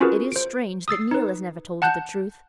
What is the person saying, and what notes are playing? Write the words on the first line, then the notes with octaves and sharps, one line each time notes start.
It is strange that Neil has never told her the truth.
C#4 F4 F#4 G#4 A#4 B4
C5 D7
D#6 E6 A6 C7
D#4 B4
F#5 A5 F#6 G6